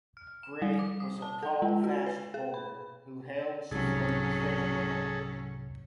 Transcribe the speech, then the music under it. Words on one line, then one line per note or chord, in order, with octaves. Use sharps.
Gray was a tall fast bowler who hails from Trinidad.
F6
E7
G3
D6
D#6
A5
A4
G#3
F#4
B4
G#4
B5
C2 G#2 C3 F#3 C#4 G#4 A4